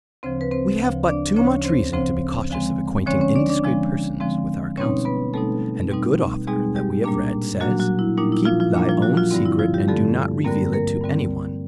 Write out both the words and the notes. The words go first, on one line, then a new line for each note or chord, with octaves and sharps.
We have but too much reason to be cautious of acquainting indiscreet persons with our counsel; and a good author that we have read, says, Keep thy own secret, and do not reveal it to any one.
D2 C#3 F3 C4 C5
B4
C4 C5
D2 C#3 F3
D4 D5
D2 C#3 F3 C#4 C#5
C4 C5
D2 C#3 F3 C4 C5
D3 F3 G#3 C4
D3 F3 G#3 C4 C#4 C#5
C#4 C#5
D4 D5
D4 D5
D3 F3 G#3 C4
D3 F3 G#3 C4
B2 G3 C4 C#4 D#4 C#5
B3 B4
B2 G3 A3 C4 D#4 A4
B2 G3 C4 D#4
B2 G3 G#3 C4 D#4 G#4
G3 G4
A#2 G3 A#3 D4
A#2 F#3 G3 A#3 D4 F#4
F#3 F#4
E4
A#2 G3 A#3 D4 D#4
E4
F3 F4
F3 F4
A#2 G3 A#3 D4
F3 F4
F#3 F#4
F3 F4
G2 D3 G3 C4 E4
E4
F3 F4
G3 G4
G2 D3 G3 A3 C4 A4
G2 D3 G3 A#3 C4 A#4
A#3 A#4
G2 D3 G3 C4